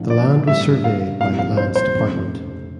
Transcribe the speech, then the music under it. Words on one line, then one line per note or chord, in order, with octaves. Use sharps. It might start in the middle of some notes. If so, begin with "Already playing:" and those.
The land was surveyed by the Lands Department.
Already playing: A#1 A2 F3
D5
A1 G2 D3 E5
F5
C2 A#2 F3 F5
F5
C5
C5
F1 F2 C#3